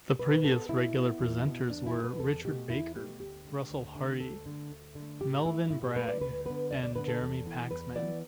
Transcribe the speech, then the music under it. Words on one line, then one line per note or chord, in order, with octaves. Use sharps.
The previous regular presenters were Richard Baker, Russell Harty, Melvyn Bragg and Jeremy Paxman.
B2 B4
B3 A4
B2 E4
B3
E2
B2 B3
E2 D4
E4
B2 B3
B4
E2 A4
B2 A3 G4
E2 E4
B2 A3 G4
D2 G4
D3 A3
D2
D3 A3
D2 A4
D3 A3
D2
D3 A3
A2 G4
A3 E4
A2 E4
G4
A3 B4
D5
D2 B4
D3 B3 B4
D2 D5
D5
D3 B3 B4
A4
E2
E3 B3
E2 B4
E3 B3 D5